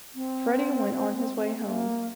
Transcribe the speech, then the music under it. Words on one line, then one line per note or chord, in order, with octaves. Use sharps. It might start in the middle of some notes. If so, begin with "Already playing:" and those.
Freddie went on his way home.
C4
A#3